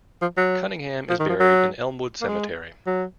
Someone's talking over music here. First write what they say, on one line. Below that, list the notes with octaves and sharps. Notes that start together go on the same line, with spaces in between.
Cunningham is buried in Elmwood Cemetery.
F3
F#3
F3
D#3
F3
F#3
A#3
G#3
F#3